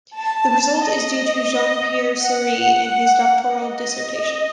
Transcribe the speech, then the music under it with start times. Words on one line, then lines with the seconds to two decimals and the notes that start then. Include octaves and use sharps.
The result is due to Jean-Pierre Serre in his doctoral dissertation.
0.17 A5
0.85 D#5
2.20 F#5
3.56 D#5